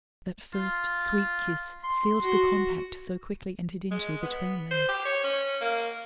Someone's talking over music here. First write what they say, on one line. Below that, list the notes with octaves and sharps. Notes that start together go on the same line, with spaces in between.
That first sweet kiss sealed the compact so quickly entered into between them.
F4
C6
F#4
G#3
B3
C5
G4
C#5
C#4
A#3